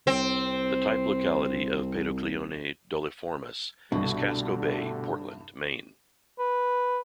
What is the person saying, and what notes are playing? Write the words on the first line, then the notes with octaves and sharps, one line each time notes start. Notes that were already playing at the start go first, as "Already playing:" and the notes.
The type locality of "Paedoclione doliiformis" is Casco Bay, Portland, Maine.
C2 C4
C2 G2 B2 D3 G3 A3
B4